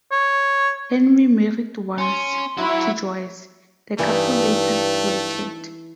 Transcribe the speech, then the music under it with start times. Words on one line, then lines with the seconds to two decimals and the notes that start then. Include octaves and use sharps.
Henri married once, to Joyce; the couple later separated.
0.12 C#5
1.98 C#4 C6
2.58 F#3 E4 F#4
3.99 G2 E3 A3 D#4